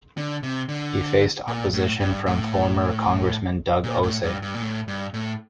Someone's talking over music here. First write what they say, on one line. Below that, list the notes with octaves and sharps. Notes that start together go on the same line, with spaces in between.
He faced opposition from former Congressman Doug Ose.
D3
C3
D3
A#2
A2
G2
A2
A#2
A2
G2
G2
A#2
A2
G2
A2